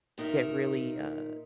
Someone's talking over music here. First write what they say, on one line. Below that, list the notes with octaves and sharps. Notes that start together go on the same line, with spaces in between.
get really, uh,
A#2 D#4 A#4 E5